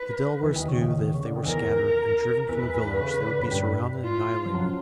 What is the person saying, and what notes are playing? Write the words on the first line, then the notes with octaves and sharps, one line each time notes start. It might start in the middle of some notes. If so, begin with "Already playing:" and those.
The Delawares knew that if they were scattered and driven from the village they would be surrounded and annihilated.
Already playing: B4
E2 E3
D#2 D#3
C#3
D#2 D#3
C#3
D3
D#3
E2 E3 A#4
E2 E3 B4
E2 E3
E2 E3
D3
C#3
C#3
D3
F#2 F#3
G2 G3
F4
F3
F#2 F#3